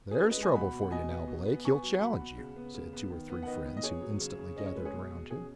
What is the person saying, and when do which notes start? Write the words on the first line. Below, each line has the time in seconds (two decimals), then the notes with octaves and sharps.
"There's trouble for you now, Blake; he'll challenge you," said two or three friends who instantly gathered around him.
0.11 G#4
0.18 C#4 F#4 B4
0.30 B4 D#5
0.37 G#3
0.42 D#5 G#5
0.54 B2 F#5 B5
0.73 B2
0.82 F#5
0.91 B2 D#5 G#5
1.10 B3
1.28 B2
1.46 B3
1.64 B3 G#5 C#6
1.83 F#3
2.01 B2 F#5 B5
2.20 B2
2.38 C#3
2.56 B3
2.74 C#3
2.93 B3
3.10 D#3
3.30 B3
3.42 F#5
3.47 D#3 B4 D#5
3.66 B3
3.77 D#5
3.83 B3 G#4 C#5
4.02 F#3
4.20 C#3
4.39 C#3
4.56 C#4 D#5
4.67 C#5
4.76 G#3 B4
4.85 G#4 C#5
4.93 B2
5.12 B2
5.31 C#4 G#4